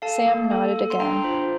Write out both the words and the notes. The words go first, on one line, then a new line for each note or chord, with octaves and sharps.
Sam nodded again.
A4 F5 A5
A#3
A4
A4
C6
D4 G5 A#5
F4 C5